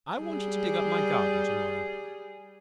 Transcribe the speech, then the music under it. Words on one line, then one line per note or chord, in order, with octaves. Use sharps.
'I want you to dig up my garden to-morrow.'
G3 G#4